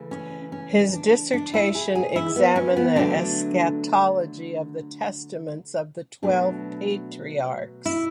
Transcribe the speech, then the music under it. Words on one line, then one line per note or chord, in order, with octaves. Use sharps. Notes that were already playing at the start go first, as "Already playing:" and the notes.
His dissertation examined the eschatology of the Testaments of the Twelve Patriarchs.
Already playing: C#3 E3 A3
C#4
C#4
D4
D4
E4
G#4
G#4
E4
B3
C#4
B3
D3 F#3 A3 D4
B2 F#3 A3 D4
E4